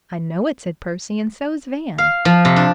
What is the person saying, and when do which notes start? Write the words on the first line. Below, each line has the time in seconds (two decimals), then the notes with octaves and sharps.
"I know it," said Percy, "and so's Van!"
1.98 F5
2.25 F3
2.45 C3
2.56 D4